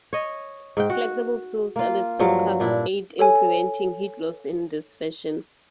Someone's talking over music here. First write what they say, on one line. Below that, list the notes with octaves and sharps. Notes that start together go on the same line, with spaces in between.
Flexible seals at the suit cuffs aid in preventing heat loss in this fashion.
C#5 D#5
G#2 G5
F#4
A#3 F4
G2 F3 F#3
A#2 D4 E4
A4 C#5 G#5